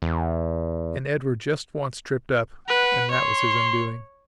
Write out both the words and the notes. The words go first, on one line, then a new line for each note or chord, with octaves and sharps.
And Edward just once tripped up, and that was his undoing.
E2
B4 F#5
C#5 C6